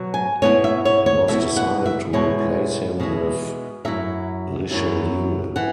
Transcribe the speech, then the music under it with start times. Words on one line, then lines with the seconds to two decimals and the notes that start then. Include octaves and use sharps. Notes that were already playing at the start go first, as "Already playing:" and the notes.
It was decided to replace him with Richelieu.
Already playing: B2 F#3
0.14 G#5
0.42 B2 B3 E4 C#5
0.64 E5
0.85 C#5
1.06 C#5
1.28 B2 B3 E4 E5
1.57 F#5
1.86 E5
2.13 B2 G#3 E4 C#5
3.00 B2 G#3 E4
3.85 F#2 F#3 E4 E5
4.71 F#2 F#3 E4
5.56 E3 F#5